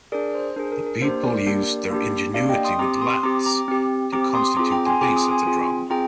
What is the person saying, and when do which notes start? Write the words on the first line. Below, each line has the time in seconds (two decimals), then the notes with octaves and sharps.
The people used their ingenuity with laths, to constitute the base of the drum.
0.12 D4 G#4 A#4 D5
0.35 C5
0.56 D4 G#4 A#4
0.72 A#4
0.86 A#4
1.01 A#3 D4 G4 C5
1.23 A#4 D5
1.46 A#3 D4 G4
1.90 A#3 D4 G4
2.34 A#3 D4 G4 D5 F5
2.49 D#5 G5
2.64 C6 D#6
2.79 C4 G4 A#5 D6
3.01 C6 D#6
3.23 C4 G4 A#5 D6
3.46 A#5 D6
3.68 C4 G4
4.12 C4 G4 A#5 D6
4.35 C6 D#6
4.57 C4 F4 G#4 A#5 D6
4.72 G5 A#5
4.86 G#5 C6
5.01 C4 F4 G#4 A#5 D6
5.16 C6 D#6
5.31 G#5 C6
5.46 C4 F4 G#4
5.90 C4 F4 G#4 G5 A#5